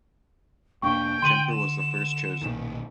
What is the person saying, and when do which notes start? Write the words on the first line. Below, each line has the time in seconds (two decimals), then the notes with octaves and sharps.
Kemper was the first chosen.
0.82 E1 A#3 D4 G5 C#6
1.22 D3 C6 D#7 F#7
1.50 E7
2.42 B1 A#2 D#3